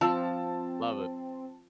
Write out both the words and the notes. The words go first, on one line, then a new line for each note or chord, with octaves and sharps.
Love it.
F3 C4 A5 E6